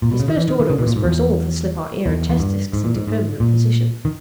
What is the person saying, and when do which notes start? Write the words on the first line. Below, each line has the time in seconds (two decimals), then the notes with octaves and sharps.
His first order was for us all to slip our ear and chest discs into permanent position.
0.02 A#2
0.11 B2
0.20 C#3
0.28 D#3
0.37 E3
0.48 D#3
0.60 D#3
0.70 C#3
0.79 B2
0.87 A#2
0.96 G#2
1.04 E2
2.06 E2
2.29 E2
2.40 G2
2.73 G#2
2.84 A#2
2.96 G#2
3.08 G#2
3.40 A#2
4.05 D#3